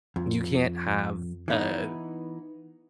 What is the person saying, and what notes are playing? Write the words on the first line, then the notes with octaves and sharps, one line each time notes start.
You can't have a
F2
E3 B3 D#4